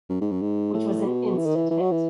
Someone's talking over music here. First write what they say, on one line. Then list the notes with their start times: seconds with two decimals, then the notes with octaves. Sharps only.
Which was an Instant hit.
0.10 F#2
0.21 G#2
0.31 F#2
0.42 G#2
0.74 A2
1.06 B2
1.38 E3
1.46 D#3
1.56 E3
1.71 E3
1.80 F#3
1.92 E3